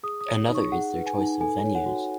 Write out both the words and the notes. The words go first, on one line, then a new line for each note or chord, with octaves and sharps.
Another is their choice of venues.
G#4 D#6
D#6
C#5
D#4
C#6
G#4 F#5
B4
G#5
D#4
A4 G#5
C#5
F#5
F#4